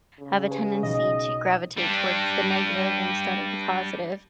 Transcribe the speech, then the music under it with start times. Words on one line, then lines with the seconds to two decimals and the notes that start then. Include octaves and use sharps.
have a tendency to gravitate towards the negative, instead of the positive,
0.19 C#3
0.50 G4 B4 G#5
0.83 B1 D#5
1.77 G3 D4